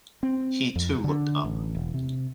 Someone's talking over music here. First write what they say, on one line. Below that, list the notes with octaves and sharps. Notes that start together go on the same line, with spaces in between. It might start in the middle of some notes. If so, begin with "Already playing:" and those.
He too looked up.
C4
F2
D3
A1
E1
C3